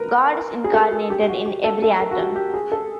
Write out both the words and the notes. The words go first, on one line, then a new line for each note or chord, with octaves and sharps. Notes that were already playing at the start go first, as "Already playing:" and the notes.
God is incarnated in every atom.
Already playing: A#4 B4
G#4
A4
G#4
G4
G4
F#4
G4
A4
A4
A#4
F#4
G4
G4
G#4
A4